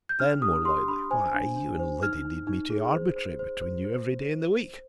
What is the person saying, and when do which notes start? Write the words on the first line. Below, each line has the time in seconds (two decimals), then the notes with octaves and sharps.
Then, more lightly: "Why, you and Liddy need me to arbitrate between you every day in the week."
0.09 G6
0.20 D4 F6
0.42 G4 D#6
0.65 G4 C6
0.88 D4 B5
1.11 C5 G#5
1.34 D4
1.56 D4
1.79 C5
2.03 D#4 F6
2.25 D#4
2.47 D#4
2.70 G#4
2.93 C5
3.16 C5
3.39 C5
3.62 C5
3.85 C5